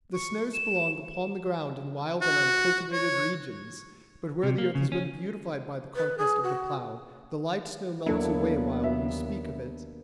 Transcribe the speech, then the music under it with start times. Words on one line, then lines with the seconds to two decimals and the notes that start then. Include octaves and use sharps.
The snows belong upon the ground in wild and uncultivated regions, but where the earth has been beautified by the conquest of the plough, the light snow melts away while you speak of it.
0.13 C#6
0.53 E7
2.21 F#4
2.92 C#5
4.43 C3
4.58 A#3
4.75 C#3
4.92 C#4
5.95 B4
6.17 G#4
6.42 F#4
8.06 D#2 F#3 A#3 B3 D4 E4 A4
8.84 E5